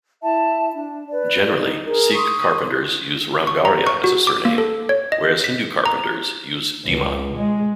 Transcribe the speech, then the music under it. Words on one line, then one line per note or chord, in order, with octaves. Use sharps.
Generally, Sikh carpenters use "Ramgarhia" as a surname whereas Hindu carpenters use "Dhiman".
E4 E5 A5
D4
B4 D5
D#4
G#4 A#4
C6 C#6 D#6
C#6
A#5
C#6
F#4
D6
A#3
A4
C#5
D#5
B6
A#5
C#2
G#3